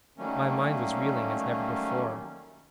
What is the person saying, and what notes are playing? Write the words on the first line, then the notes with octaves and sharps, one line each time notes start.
My mind was reeling as never before!
D#3 F#3 G3 A3 A#3 C#4